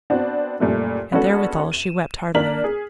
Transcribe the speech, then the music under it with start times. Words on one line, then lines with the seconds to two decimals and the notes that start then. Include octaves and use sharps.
And therewithal she wept heartily.
0.10 B3 C4 D4 F#4
0.60 F#1 A#2 G3 A3
1.11 G#3 B3 C#4 D4 F#4 A4
1.72 D#7 E7
2.35 A#3 D4 A#4 F6 B6 F#7
2.64 G#4